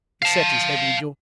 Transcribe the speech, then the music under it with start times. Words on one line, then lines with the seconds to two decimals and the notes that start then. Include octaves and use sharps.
He set his heavy jaw.
0.22 F5 A5